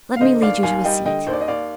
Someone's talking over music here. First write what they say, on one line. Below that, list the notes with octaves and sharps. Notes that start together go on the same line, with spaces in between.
Let me lead you to a seat.'
F5
D3 C5 D#5
D#2 D5 F5
D#2 F5 G#5
G3 D#5 G5
D3 D#5 G5
D#2 C5
D5
D#5
D#2 D5 F5